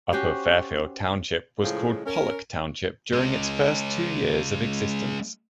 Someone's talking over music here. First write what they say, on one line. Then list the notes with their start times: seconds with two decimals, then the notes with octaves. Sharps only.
Upper Fairfield Township was called Pollock Township during its first two years of existence.
0.13 C#4 F#4 G4 C5
1.62 A2 C#3 F3 G#3
2.06 C#4 A#4
3.13 G#3 C#4